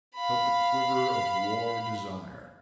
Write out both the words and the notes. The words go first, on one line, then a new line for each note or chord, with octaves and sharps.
He felt the quiver of war desire.
F5 B5